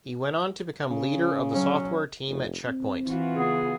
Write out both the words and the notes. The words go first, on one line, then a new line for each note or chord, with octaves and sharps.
He went on to become leader of the software team at Check Point.
C#3
F#3 C#4
F1
C4
E3 F4 F#4
C#3 B3 G#4